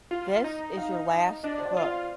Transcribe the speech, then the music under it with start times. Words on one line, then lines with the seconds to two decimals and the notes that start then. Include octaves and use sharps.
This is your last book!
0.11 F4
0.44 D#4
0.77 F5
1.43 D4 D#5
1.58 C5
1.65 D5
1.77 F4
1.88 F5